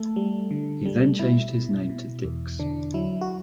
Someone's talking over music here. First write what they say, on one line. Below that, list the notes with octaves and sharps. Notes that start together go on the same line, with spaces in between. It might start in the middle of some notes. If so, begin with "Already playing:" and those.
He then changed his name to Dix.
Already playing: A3 A4
G3
D3
G3
B2 E4
B2
B2
E2
D3 D4
F#3 E4
F#4